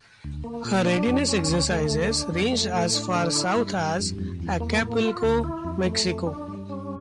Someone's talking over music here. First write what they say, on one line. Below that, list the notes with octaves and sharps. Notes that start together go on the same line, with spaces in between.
Her readiness exercises ranged as far south as Acapulco, Mexico.
D2
A#3
A#2
D4
F2
C#4
D2
A3
D2
D4
F2
A3
A2
D4
D3
E4
G2
G2
F2
F2
E2
A#3
A2
F4
D2
E4
F2
A3
F2
D4
G2
C#4